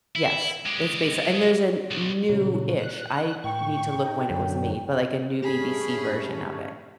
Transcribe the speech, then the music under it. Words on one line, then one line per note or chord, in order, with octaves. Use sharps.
Yes, it's based and there's a newish I need to look when it was made, but, like, a new BBC version of it.
E4
G#3 G4
B1
A#2 C#3 F#3
F#6
A2 G5 C#6
D#4
F#2 D3 F#3
G2 A3 C#4 G4 G#4 B5